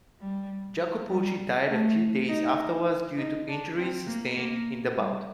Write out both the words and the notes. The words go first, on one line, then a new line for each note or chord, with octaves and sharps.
Jacopucci died a few days afterwards, due to injuries sustained in the bout.
G3
G3
A3
D#4
D#4
D4
C4
A#3
A#3
G3